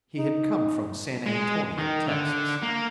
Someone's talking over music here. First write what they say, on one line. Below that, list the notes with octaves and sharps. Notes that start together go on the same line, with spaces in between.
He had come from San Antonio, Texas.
D#4
G#3
D#3
D3
A#3